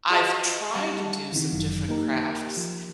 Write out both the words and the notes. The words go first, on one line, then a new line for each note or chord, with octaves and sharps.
I've tried to do some different crafts,
F4 F#4 G#4 D#5 F5 G5
G3 F5 F#5 A5
C3 D#3 E3
G1 F#2 D#3
A#3 D#4 G4 A#4
F3